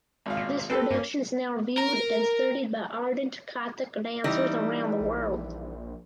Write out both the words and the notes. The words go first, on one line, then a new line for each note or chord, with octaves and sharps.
This production is now viewed and studied by ardent Kathak dancers around the world.
G#1 F5
A#2
C4 G4 A4 B4
G2 A#3 C#4
A#4
E3 G3 D#4
A#1